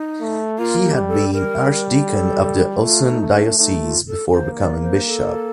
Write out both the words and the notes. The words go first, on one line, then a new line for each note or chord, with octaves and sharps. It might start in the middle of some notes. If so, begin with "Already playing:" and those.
He had been Archdeacon of the Osun Diocese before becoming bishop.
Already playing: D#4
A3
A#3 F4
G4
G3
A4
G3 A#4
A4
A3 F4
D#4
A3
D4
A3 D#4
F4
A4
A#3 C5
D5
C5
A4